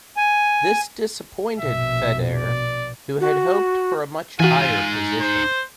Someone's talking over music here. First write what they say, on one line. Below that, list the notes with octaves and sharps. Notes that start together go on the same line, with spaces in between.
This disappointed Feder, who had hoped for a much higher position.
G#5
A#1 B2 E5
D5
F#4
E3 D#4 F4 F#4 G#5
C5